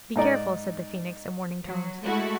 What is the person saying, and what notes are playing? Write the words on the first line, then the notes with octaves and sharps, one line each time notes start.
Be careful,' said the Phoenix, in warning tones.
G#2 D#4 D5 A#5
F#3
G#3 A3 E4 F#4